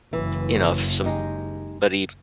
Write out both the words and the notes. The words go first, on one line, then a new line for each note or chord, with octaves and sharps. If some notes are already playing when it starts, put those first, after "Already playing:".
you know, if somebody
F#1 E3
G#3 D#4 G4